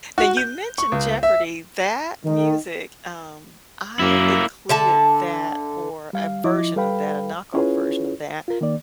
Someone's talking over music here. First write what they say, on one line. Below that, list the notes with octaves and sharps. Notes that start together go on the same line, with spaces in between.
Now you mentioned Jeopardy, that music, um, I included that or a version of that a knockoff version of that,
F#4
G6
C#6
C#2
E5
D#3
F#2 A#3 E4
D3 E5 A5
G3 F5
F3 E4 D#5 D6
G3 A4 B4 F5 G5 B5
C#4 E4 F4 G#4 B4 C#5
F4 A#4
D#3 A#3 D5